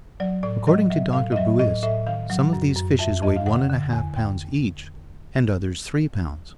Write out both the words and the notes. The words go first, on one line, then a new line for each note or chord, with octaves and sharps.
According to Dr. Buist, some of these fishes weighed one and a half pounds each and others three pounds.
F#3 D5
A2 D5
F#3 D#5
F#3 E5
A2 F5
D#5
F#3 E5
A2 D#5
A2 E5
D#3 F5
F#3 F#5
F#2
F#2
F2 E5
F2 D#5
F5
D3 F#5
D3
E2 G#5
G5